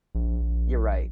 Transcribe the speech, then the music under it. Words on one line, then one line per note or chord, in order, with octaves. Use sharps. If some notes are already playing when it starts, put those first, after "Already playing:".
You're right.
A#1